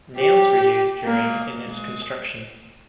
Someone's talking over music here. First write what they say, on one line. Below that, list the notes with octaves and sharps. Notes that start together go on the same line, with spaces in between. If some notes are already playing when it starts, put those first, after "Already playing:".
Nails were used during in its construction.
G4
A#3